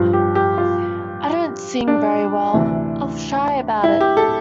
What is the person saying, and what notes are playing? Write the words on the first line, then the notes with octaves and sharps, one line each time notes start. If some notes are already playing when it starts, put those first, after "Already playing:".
I don't sing very well, I was shy about it.
Already playing: G2 F3 F4
G4
G4
F4
D4
D2 C3 E3
E4
G4
A4